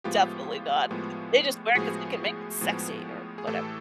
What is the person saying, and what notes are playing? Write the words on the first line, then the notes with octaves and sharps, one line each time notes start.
Definitely not. They just wear it 'cause they can make it sexy or whatev
A2 F3 G#3 B3 F4 G4
A2 F3 G#3 B3
A2 F3 G#3 B3 F#4 G#4
A2 F3 G#3 B3
G#4
A2 E3 A3 G4 A4